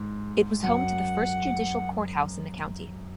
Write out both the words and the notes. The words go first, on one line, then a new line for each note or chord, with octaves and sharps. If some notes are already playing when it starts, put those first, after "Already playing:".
It was home to the first judicial courthouse in the county.
Already playing: G#2
F#2 F#5